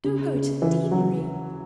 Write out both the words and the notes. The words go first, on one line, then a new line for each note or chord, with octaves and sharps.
Do go to the deanery.
C#3
C#3
E3
F#3